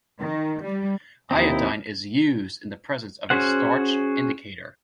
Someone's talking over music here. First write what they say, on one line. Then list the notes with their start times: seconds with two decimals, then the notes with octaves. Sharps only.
Iodine is used in the presence of a starch indicator.
0.20 D#3
0.64 G3
1.31 D#2 C4 D#4 E4
3.30 C#4 F#4 G#4 C5 F#5